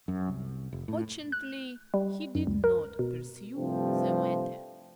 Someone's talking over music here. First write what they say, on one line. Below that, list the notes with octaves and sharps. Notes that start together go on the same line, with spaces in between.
Unfortunately he did not pursue the matter....
F#2
C2
F1
A2
F#6
G3
F#2
C#2
A#4
B2
C2 G2 C3 F3 A3 C4